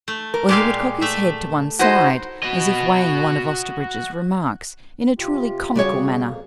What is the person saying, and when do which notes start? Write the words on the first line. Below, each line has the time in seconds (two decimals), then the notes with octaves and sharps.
Or he would cock his head to one side as if weighing one of Osterbridge's remarks, in a truly comical manner.
0.08 A3
0.34 A#4
0.49 A#2 G#3 G4 D5 F5
1.01 A3 E5
1.79 D#4 E4 F#4 C5 D#5
2.43 F#4 D#5
5.18 C3 F4 G4
5.75 C#3 G3 F#4 G#4 C#5
6.23 F2 A#3